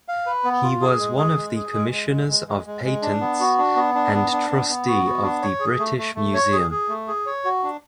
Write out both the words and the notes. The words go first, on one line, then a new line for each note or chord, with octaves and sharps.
He was one of the commissioners of patents, and trustee of the British Museum.
F5
B4
B3
F4
G#4
G#3
G#4
G#3
G#4
G#3
G#3
G#3
G#3
G#3
G#3
G#3
D4
B3
F#4
D4
B3
D4
B3
D4
B3
B3
F#4
B3
D4
C#5
G#4
A3
A3
A3
C#5
G#4
G#4
A3
G#4
C#5
F#4
D4